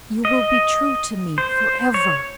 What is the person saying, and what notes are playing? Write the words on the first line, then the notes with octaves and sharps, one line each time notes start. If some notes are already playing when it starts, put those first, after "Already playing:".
"You will be true to me forever."
D#5
C5
C#5